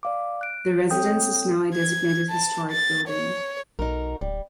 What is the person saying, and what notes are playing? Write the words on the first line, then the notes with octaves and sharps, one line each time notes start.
The residence is now a designated historic building.
D5 F5 D6
F#6 D7
C4 A4 C#5 G5 D#6 G6
G#6
A5
A6
C#5
B1 D#4 F#4 A#4
D1 G3